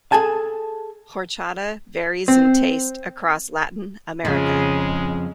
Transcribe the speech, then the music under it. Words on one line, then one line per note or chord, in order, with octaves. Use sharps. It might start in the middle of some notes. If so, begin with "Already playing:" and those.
Horchata varies in taste across Latin America.
G#4 A4 G#5 A5
C4
F2 C#3 F3 G#3